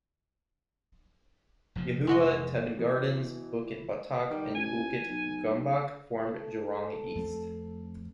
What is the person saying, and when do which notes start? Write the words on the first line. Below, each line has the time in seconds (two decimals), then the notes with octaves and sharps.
Yuhua, Teban Gardens, Bukit Batok and Bukit Gombak formed Jurong East.
1.75 F1 A#2 F3
2.07 G#3 F#4 D#5
2.78 B2 E3
4.30 D#3 G3
4.55 A1 G#5
5.08 B1
6.18 A4
7.15 F2 A3 C4